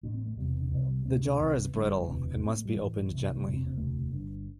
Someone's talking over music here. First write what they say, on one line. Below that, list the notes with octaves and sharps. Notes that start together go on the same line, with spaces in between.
The jar is brittle it must be opened gently.
A1 A2 D4
C4
A3
E1 E2 C3 G3
E3
D3
C2 C3 E3
G3
D2 C3 C4
D4
C2 C3 E3
G1 G2 D3
E1 D2 C3 E3
A1 A2 C4
A3
G3
A1 A2 E3
C2 C3
A3
E1 D2 C3 G3
C4
C4
E1 D2 C3 A3
G1 G2 D3